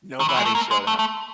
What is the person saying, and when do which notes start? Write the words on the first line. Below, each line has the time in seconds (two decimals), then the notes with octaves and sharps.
nobody showed up,
0.20 D#3
0.29 E3
0.37 G#3
0.45 A3
0.55 A#3
0.71 G#3
0.87 A3
0.99 A3